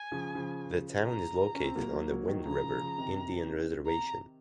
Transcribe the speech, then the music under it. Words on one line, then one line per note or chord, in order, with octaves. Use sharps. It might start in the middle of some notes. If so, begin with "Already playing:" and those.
The town is located on the Wind River Indian Reservation.
Already playing: G#5
C#3 F3
C#3 F3
A#5
C#4
C4
F#3 A#3
F#3 A#3
F#3 A#3
D#3 F#3
C#3 F3 A#5
C#3 F3
C#3 F3
C3 D#3
A#5